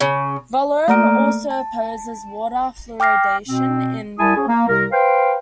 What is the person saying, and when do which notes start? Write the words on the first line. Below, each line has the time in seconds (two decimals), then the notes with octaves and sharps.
Vallone also opposes water fluoridation in New York.
0.01 C#3
0.88 A3 A#3 D5 A#5 F6 D7
1.51 A5
3.00 G5 D6 F6 A#6 C7
3.47 B2 C4
4.18 C2 E4 G#5 A5 D#6
4.35 C#4 G#4
4.47 A#3
4.67 C2 C3 A#4
4.91 B4 C5 F5 G5